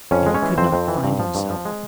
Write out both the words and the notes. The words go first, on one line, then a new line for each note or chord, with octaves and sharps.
Yet he could not find himself.
F2 C#4 C#5
G#3
C#4 C#5
E3
F2 C4 C5
F2
E3
G2
F3
G2
F3
G#3